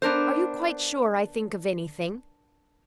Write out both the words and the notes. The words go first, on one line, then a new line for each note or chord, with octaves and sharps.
"Are you quite sure I think of anything?"
B3 D4 A#4 C5